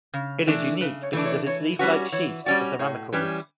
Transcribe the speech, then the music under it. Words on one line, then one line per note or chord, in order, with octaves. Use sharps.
It is unique because of its leaflike sheaths of the ramicauls.
C#3
E3 A3 D4
C#3 B4
C#5
E3 A3 D4
C#5
E3 C#5
G3 C#4 F#4 B4
E3 C#5
G3 C#4 F#4 D5
A2 C#5
E3 G3 C#4 B4